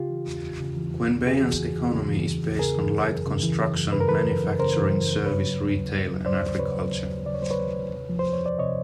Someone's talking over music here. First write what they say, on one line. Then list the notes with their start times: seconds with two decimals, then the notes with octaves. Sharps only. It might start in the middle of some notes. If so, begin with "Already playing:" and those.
Queanbeyan's economy is based on light construction, manufacturing, service, retail and agriculture.
Already playing: C#3 F4 G4
0.10 E3
0.27 E2
0.43 E2
0.60 C#3
0.76 E3
0.93 E2
1.10 E2
1.27 C#3 F#4 G#4
1.43 E3
1.59 E2
1.76 E2
1.93 C#3
2.10 E3
2.27 E2
2.43 E2
2.59 C#3 G#4 A#4
2.77 E3
2.93 F#2
3.10 F#2
3.26 C#3
3.43 E3
3.59 F#2
3.76 F#2
3.92 C#3 B4
4.00 A#4
4.08 E3 A4 B4
4.26 F#2
4.43 F#2
4.59 C#3 A#4 C5
4.76 E3
4.93 F#2
5.09 F#2
5.26 C#3 B4 C#5
5.43 F#3
5.59 D#2
5.76 D#2
5.93 C#3
6.09 F#3
6.26 D#2 C5 D5
6.43 D#2
6.59 C#3 B4 C#5
6.76 F#3
6.93 D#2
7.09 D#2
7.25 C#3 D5
7.34 C#5
7.42 F#3 C5
7.51 B4 C#5
7.59 D#2
7.76 D#2
7.93 C3
8.09 F3
8.19 C5
8.26 F2
8.33 C#5
8.43 F2 D5
8.59 C3 C#5 D#5